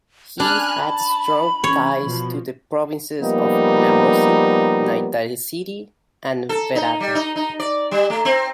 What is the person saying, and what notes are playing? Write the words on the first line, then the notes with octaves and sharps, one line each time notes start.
He had strong ties to the Provinces of Namosi, Naitasiri, and Verata.
D4 G#5 B5 F6 F#6
A5
E3 C#4 C#5
B2 F3
F3 G3 A#3 B3 D#4
A4
D#4
G3
D#4
D#4
D5
G3
A3
C4